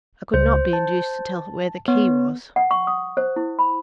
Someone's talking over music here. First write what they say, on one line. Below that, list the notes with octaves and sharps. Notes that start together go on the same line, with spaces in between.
I could not be induced to tell where the key was.
C#2 C5
A5
B3 C#5
F#5
C#6
D#6
C5
E4
B5